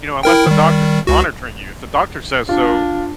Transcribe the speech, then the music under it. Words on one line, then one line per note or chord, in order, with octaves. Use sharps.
You know, unless the doctor's monitoring you, if the doctor says so
E4 A#4 G5
D#3 G3
C#2 F#4
D4 F4